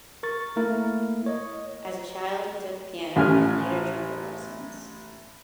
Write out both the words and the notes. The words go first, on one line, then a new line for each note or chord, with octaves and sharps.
As a child he took piano and later trumpet lessons.
A#4 C#6 A6
A3 A#3 E4 A#4
C#5 D#5
A1 C#4 G#5 F6